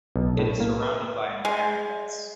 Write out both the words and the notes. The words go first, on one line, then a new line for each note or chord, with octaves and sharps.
It is surrounded by an iron fence.
B1
A2
A#3
B4
G#3